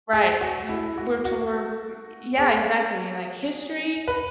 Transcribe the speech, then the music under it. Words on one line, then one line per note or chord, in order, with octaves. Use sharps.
Right, we we're tor y yeah, exactly, like history,
G#4
F#4
E4
F#4
F#4
G#4
B4